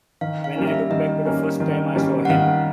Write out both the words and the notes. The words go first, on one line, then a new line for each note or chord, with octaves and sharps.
When I look back to the first time I saw him!
D#3 F5
F5
G3 A#3 C#4
E5
D#3 D#5
G3 A#3 C#4
D#3
G3 A#3 C#4
F#5
D#3 F5